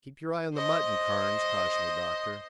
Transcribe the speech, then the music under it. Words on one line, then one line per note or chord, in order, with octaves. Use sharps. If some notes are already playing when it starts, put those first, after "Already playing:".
"Keep your eye on the mutton, Carnes," cautioned the doctor.
C5 D#5